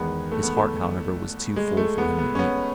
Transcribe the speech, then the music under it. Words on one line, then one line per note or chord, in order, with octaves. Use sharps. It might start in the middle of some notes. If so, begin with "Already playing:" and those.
His heart, however, was too full for him to eat.
Already playing: E2 D#3 G#3 B3
A3
B3
A3
G#3
A3
B3
B3
C#4
B3